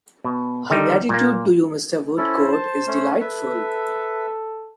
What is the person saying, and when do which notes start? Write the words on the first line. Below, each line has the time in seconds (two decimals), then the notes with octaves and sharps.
Her gratitude to you, Mr. Woodcourt, is delightful.
0.24 B2
0.70 D3 D#3 G3 D#4
1.09 A#2 A#3
2.18 C#4 E4 A4 C5
2.52 A5
2.87 A3 C#4
3.21 A4 B4 E5